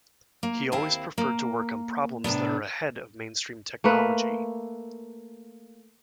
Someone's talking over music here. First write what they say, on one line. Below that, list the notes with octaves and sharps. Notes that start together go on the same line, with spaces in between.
He always preferred to work on problems that are ahead of mainstream technology.
A#3
D#2 C4 E4 F5 A5
A#3
A2 C3 B3 D4
A3 A#3 B4